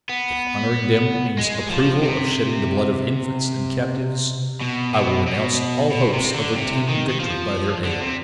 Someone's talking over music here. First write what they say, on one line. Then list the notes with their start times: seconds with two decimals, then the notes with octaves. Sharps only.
"If honouring them means approval of shedding the blood of infants and captives, I will renounce all hopes of obtaining victory by their aid."
0.10 B3
1.39 G#3
1.70 F3
2.03 C3
4.62 B2
4.95 B2
5.27 B2
5.92 B2
6.13 C3
6.35 D3
6.56 C3
6.89 D#3
7.09 D#3
7.20 F3
7.85 D3
8.01 C3